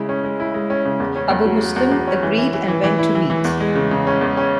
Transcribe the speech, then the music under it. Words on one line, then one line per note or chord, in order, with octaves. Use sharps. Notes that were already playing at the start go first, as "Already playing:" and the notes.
Abu Muslim agreed and went to meet.
Already playing: C#3 G#3 E4
C#4
G#3
E4
G#3
C#4
C#3
E2
C#4
E2
F#3
F#3
E2
E2
C#4
E3
E3
E3
E3
E3
E4
E3
E3
E2
G#3
C#3
C#3
C#4
E2
C#4